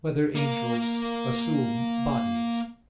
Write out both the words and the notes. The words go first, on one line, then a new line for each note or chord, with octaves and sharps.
Whether Angels Assume Bodies?
A#3 A#4